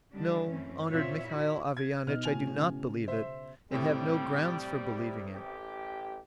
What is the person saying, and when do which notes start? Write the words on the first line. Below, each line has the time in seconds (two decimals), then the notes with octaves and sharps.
"No, honoured Mihail Averyanitch; I do not believe it, and have no grounds for believing it."
0.13 D3 D#3 G3 D4
0.50 F#2 E3 A3 C4 C#4
0.89 A#2 C4 F4 C#5 E5
1.27 E4 F#4
1.77 G#6
2.07 B2 D#4 F6
2.23 A2 G#5 F7
2.47 C#3
3.08 C5 E5
3.72 A2 C3 G3 C4
5.35 A1 G4